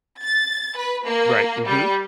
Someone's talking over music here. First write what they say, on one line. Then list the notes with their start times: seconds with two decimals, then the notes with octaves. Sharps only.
Right, mhm.
0.23 A6
0.76 B4
1.07 A#3
1.68 G3